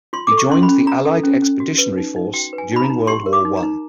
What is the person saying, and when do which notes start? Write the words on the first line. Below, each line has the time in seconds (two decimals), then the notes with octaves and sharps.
He joined the Allied Expeditionary Force during World War One.
0.13 F4 C6
0.27 A4 D6
0.37 C#6
0.50 C#4 C6
0.63 B5
0.68 C#4
0.87 F4 A#5
1.05 A4
1.23 C#4
1.42 C#4
1.60 F#4
1.78 B4
1.97 D#4
2.16 D#4
2.34 F#4 G5
2.53 B4
2.58 G#5
2.72 D#4 B5
2.84 A#5
2.89 D#4
3.07 G4 C6
3.26 A#4
3.33 D6
3.45 D#4
3.57 A#5
3.63 D#4